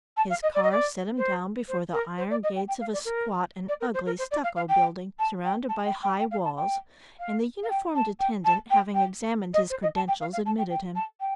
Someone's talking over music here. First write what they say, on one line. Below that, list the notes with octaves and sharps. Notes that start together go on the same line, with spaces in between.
His car set him down before the iron gates of a squat and ugly stucco building, surrounded by high walls, and the uniformed attendant, having examined his credentials, admitted him.
A5
F5
D#5
D5
D#5
D5
C5
C5
A#4
C5
D5
D#5
G5
G5
F5
D5
A#4
D5
A#4
C5
A#4
C5
D5
F5
F5
G5
A5
G5
A5
G5
G5
G5
F5
A5
G5
F5
F5
G5
A5
G5
A5
G5
G5
D#5
C5
D#5
A5
G5
F5
F5
A5
G5
G5
A5
G5